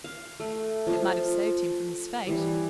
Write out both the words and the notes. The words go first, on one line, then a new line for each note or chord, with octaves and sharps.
"It might have saved him from his fate."
F5
A3
F3 F4
E3 G3